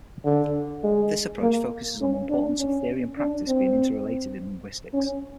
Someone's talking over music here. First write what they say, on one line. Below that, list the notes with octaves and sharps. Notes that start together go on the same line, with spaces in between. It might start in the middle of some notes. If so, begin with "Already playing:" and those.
This approach focuses on the importance of theory and practice being interrelated in linguistics.
D3
G#3
A#3
C#4
D4
C#4
D4
C4
C#4